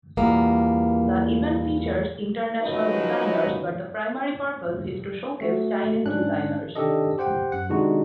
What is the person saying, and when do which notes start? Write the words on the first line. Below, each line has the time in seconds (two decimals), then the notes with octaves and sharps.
The event features international designers but the primary purpose is to showcase Chinese designers.
0.17 E2 A#2 G3 A#3 B3
2.61 F3 F#3 C#4 D#4 A#4 B4
5.41 A3 F#4
6.05 G#2 C#4 D4 F#6
6.76 C3 D#3 D4 G4 A4 D#5
7.18 G4 C5 F#5 G5
7.52 F#2 F#5
7.69 C3 D#3 G#3 D4 D#4 F#4